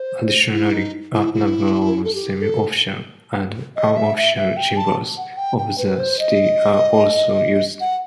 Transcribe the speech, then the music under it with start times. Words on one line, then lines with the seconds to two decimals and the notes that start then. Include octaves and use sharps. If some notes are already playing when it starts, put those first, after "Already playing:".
Additionally, a number of semi-official and unofficial symbols of the city are also used.
Already playing: C5
0.53 E4
0.73 D#4
1.14 E4
1.34 E4
2.04 A4
2.14 G4
2.41 A4
3.76 D#5
3.97 E5
4.17 E5
4.37 E5
4.57 G5
4.77 A5
5.17 F#5
5.37 G5
5.58 G5
5.78 B4
5.99 C5
6.19 D#5
7.81 F#5